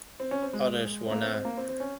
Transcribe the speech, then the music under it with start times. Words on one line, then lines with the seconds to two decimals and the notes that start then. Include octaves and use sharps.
Others were not.
0.20 C4
0.31 C#4
0.42 C4
0.53 G#3
1.06 C4
1.12 A#3
1.22 C4
1.34 C4
1.45 A#3
1.57 C4
1.69 C4
1.80 C#4